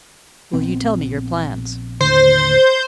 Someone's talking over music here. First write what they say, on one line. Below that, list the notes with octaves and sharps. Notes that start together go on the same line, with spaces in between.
"Will you tell me your plans?"
A#1 B3 C4
D#2 A2 D3 C5